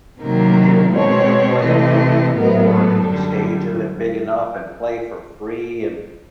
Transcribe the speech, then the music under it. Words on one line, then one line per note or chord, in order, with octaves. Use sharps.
I mean, people want me to play on the floor if the stage isn't big enough and play for free and,
C3 D#3 F#3 A#3 A#4
B2 G#3 C4 C#5
C3 E3 A3 D#5
A2 F#3 B3 A#4
A4
F#2 D3 G3